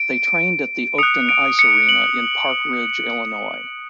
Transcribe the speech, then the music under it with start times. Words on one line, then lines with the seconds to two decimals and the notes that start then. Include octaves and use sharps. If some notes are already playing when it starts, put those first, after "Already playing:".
They trained at the Oakton Ice Arena in Park Ridge, Illinois.
Already playing: D7
0.98 D#6 F#6 C#7
1.29 D7
1.59 C#7
1.89 F#7